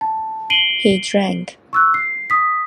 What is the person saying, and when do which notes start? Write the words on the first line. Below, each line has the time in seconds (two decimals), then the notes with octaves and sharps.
He drank.
0.01 A5
0.50 C7 D7 D#7 F#7 G7
1.73 C#6 E6 F#6
1.94 C7
2.30 D#6 B6